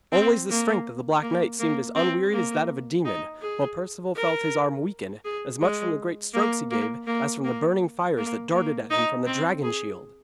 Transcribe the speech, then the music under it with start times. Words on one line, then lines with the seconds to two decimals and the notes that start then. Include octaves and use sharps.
Always the strength of the Black Knight seemed as unwearied as that of a demon, while Perceval felt his arm weaken, as much from the great strokes he gave, as from the burning fires that darted at him from the dragon shield.
0.12 C4
0.49 A#3
1.22 A#3
1.59 A#3
1.96 C4
2.32 A#3
3.05 D#4
3.41 G#4
4.15 A#4
5.24 G#4
5.61 G#3
6.34 A#3
6.71 A#3
7.07 A#3
7.44 A#3
8.17 A#3
8.54 A#3
8.90 D#4
9.26 C4
9.63 G#4